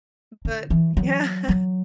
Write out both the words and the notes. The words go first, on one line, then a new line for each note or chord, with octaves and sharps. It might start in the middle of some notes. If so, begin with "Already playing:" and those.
but Yeah.
D3
E3
F#3
F#3